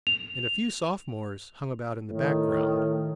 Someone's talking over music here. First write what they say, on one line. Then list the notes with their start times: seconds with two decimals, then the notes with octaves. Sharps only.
And a few sophomores hung about in the background.
0.07 F7
2.10 A2 D#3